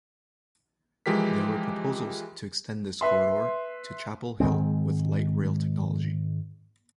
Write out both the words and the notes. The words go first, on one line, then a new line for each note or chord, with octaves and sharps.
There were proposals to extend this corridor to Chapel Hill with light rail technology.
E3 F3 G#3 G4 A#4 B6
B4 E5 C6
G#2 D#3 G#3 C4